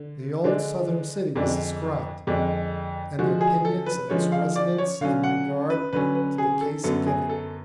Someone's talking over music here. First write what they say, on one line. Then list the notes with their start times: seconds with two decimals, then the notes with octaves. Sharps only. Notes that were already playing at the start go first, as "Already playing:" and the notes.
The old Southern city was described, and the opinions of its residents in regard to the case given.
Already playing: D3
0.44 D3 G#3 D4
1.36 F2 D3 G#3 D4
2.27 F2 D3 G#3 D4
3.19 D3 F3 G#3 F#4
3.41 G#4
3.65 A4
3.86 B4
4.10 D3 F3 G#3 C#5
4.32 F5
4.56 D5
4.78 C#5
5.01 D3 F#3 C#4 F5
5.24 F#5
5.70 B4
5.93 D3 F#3 C#4 B4
6.15 B4
6.38 G#4
6.61 A4
6.83 F#2 D3 F#3 B3 A4
7.07 G#4
7.29 A4